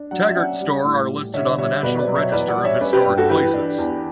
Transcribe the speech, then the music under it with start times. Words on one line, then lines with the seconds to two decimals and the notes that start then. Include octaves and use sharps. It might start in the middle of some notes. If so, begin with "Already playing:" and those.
Taggart Store are listed on the National Register of Historic Places.
Already playing: D4
0.11 F#3 D5 F#5
0.27 E5
0.36 C#4 D5 F#5
0.61 G3
0.84 A2
1.10 G3
1.34 D3 C#5 E5
1.58 G3 C#5 E5
1.83 B2 B4 D5
1.99 B4 D5
2.08 F#3
2.15 C#5 E5
2.32 E2 B4 D5
2.48 D5 F#5
2.56 G3
2.64 C#5 E5
2.81 C#4 B4 D5
2.93 G4 B4
3.05 G2
3.17 F#4 A4
3.29 E3 G4 B4
3.54 D4
3.78 E2